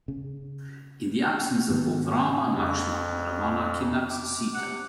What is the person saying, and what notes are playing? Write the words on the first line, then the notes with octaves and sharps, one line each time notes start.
In the absence of both Rama and Lakshman, Ravana kidnaps Sita.
C#3
G#2 D#3 B3
F2
D6
C3 F#5